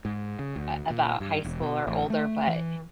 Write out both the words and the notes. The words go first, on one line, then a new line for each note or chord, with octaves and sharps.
uh, about high school or older, but
G#2
C#3
D2
A#2
G2
E1
B2
A1
A3
E3